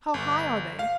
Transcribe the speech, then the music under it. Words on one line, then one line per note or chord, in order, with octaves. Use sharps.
How high are they?
G1
F5